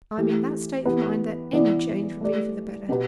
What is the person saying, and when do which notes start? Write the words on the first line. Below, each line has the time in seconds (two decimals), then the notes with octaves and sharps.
I'm in that state of mind that any change would be for the better.
0.18 E3 A3 G4
0.85 E3 B3 G4 B4
1.53 E3 B3 E4 B4 D5
2.21 A3 G4 D5
2.89 B2 B3 G4 B4